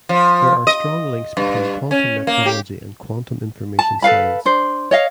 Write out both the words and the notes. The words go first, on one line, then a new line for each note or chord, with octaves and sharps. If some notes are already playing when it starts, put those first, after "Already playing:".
There are strong links between quantum metrology and quantum information science.
F3
D#5
G2
C#4
A#3
G4
A5
A4 B4 F5 B5
D4 C5
C#5 D#5 F5